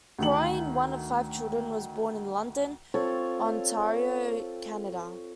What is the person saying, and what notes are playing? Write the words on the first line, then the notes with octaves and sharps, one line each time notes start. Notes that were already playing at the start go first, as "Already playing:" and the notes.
Cronyn, one of five children, was born in London, Ontario, Canada.
D2 D#3 F#7
C4 F4 A4 C#5